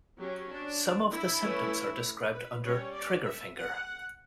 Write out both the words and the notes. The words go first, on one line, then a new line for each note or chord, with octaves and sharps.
Some of the symptoms are described under trigger finger.
F#3 C#4 G4
D4
E4
E3 A3 C#4
B4
G3 C#4 C#5
D5
E5
F#5